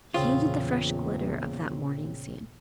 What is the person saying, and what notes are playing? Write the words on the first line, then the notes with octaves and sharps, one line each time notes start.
He hated the fresh glitter of that morning scene.
E2 A#2 C#3 C4 F4 D#6